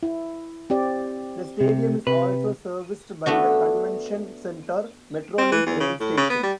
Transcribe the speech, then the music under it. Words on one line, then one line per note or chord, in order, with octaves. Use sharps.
The stadium is also serviced by the Convention Center MetroLink rail station.
E4
C4 G4 D5
C3
C3 B4
A3 B3 D4 F#4
C4
E3
E2
C#3
A2
C#3
B3
G3